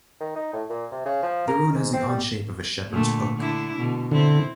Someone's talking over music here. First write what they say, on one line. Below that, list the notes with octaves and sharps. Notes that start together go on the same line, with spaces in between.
The road has the odd shape of a shepherd's hook.
D#3
D#4
A2
A#2
C3
C#3
F3
A#4
G#2
C4
G3
A#2 D3 A3
D3 D4 E4
B2 D3
D3 C4 E4